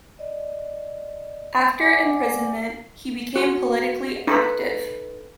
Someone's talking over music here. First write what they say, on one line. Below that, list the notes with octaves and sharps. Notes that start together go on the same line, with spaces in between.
After imprisonment he became politically active.
D5 D#5
D5 F#5 G#5 D6
F#4 C6
D#4 A4 B4